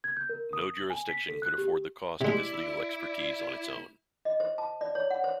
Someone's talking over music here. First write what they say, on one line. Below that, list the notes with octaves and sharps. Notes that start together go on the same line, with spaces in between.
No jurisdiction could afford the cost of this legal expertise on its own.
G#6
G6
A#4
D#6
F#7
G#5
B6
A4
F#6
G4
C3 G#3 E4 D5
D#5
C5
A5
D5
C#5
F#5
C5